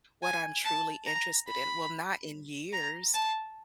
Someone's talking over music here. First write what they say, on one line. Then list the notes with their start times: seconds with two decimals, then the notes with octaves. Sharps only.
what I'm truly interested in. Well, not in years,
0.23 G#5
0.65 A5
1.06 A#5
1.48 B5
2.73 A#5
3.14 A5